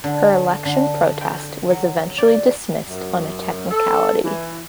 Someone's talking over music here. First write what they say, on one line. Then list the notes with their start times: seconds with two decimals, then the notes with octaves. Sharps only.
Her election protest was eventually dismissed on a technicality.
0.04 D3
0.65 D3
1.21 G5
1.70 F#3
2.18 D5
2.88 F#2
3.71 A4
4.24 E3